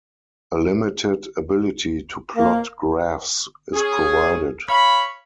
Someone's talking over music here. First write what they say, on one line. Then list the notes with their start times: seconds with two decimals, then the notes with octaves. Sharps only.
A limited ability to plot graphs is provided.
2.36 A#3
3.74 C#4 G#4
4.69 C#5 F5 B5